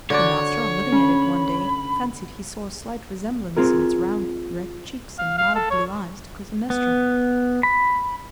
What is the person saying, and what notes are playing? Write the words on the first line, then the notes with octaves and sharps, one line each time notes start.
The master on looking at it one day fancied he saw a slight resemblance in its round red cheeks and mild blue eyes to Clytemnestra.
D3 F#4 C#5 D5
C#4 B5
C4 F4 G#4 A#4
F5
F5
A4
C#5
B3
B5